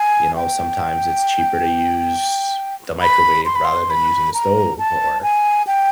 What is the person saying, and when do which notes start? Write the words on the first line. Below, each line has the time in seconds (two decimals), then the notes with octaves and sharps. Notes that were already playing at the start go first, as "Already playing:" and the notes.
you know, sometimes it's cheaper to use the microwave rather than using the stove or,
Already playing: G#5
0.36 G5
3.01 B5
3.46 C6
3.56 B5
3.65 C6
3.90 B5
4.34 A#5
4.79 A5
5.23 G#5
5.67 G5